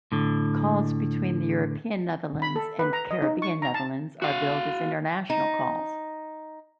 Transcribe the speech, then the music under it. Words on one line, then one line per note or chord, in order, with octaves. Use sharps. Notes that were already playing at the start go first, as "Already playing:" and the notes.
Calls between the European Netherlands and Caribbean Netherlands are billed as international calls.
A2 D3
B5
A4
B4
A#5
D#5
D#4
C#6
A#5
A5
F#4 F5
D#4